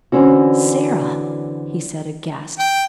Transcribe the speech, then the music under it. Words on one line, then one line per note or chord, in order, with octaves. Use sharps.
"Sara!" he said, aghast.
D3 E3 C4 C#4 F#4
G5